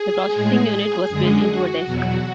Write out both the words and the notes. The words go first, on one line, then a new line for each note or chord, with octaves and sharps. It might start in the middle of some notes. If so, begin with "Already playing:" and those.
The processing unit was built into a desk.
Already playing: G#4
A2 G#3
F#2 D3 G#3 G#4
F#4
E2 B2 F#3